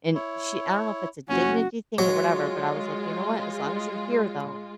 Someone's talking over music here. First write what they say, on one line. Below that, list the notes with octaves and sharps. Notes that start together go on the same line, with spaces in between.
And she I don't know if it's a dignity thing or whatever, but I was like, "You know what? As long as you're here, though,
E4 C#5
F#1 C#4 F#4
F#3 G#3 F4